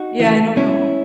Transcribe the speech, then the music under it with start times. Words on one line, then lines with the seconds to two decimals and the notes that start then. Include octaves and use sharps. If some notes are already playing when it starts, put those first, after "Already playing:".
Yeah, I don't know.
Already playing: D#4 F#4
0.20 C#3 E3
0.56 B2 F#3 C#4 E4